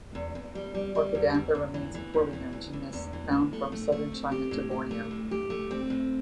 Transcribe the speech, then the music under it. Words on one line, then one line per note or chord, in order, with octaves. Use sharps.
"Orchidantha" remains a poorly known genus, found from southern China to Borneo.
E2
E2
G3
G3
G3
E2
E3
E2
E3
E3
E2
E3
E2
E3
E2
E3
A2
A3
A3
A3
C4
G4
A2
G4
A3
A2
G4
A3
C4
A2